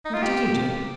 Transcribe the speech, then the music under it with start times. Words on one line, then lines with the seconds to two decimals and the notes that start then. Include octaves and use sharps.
"What did you do?"
0.05 D#4
0.14 F4
0.22 G4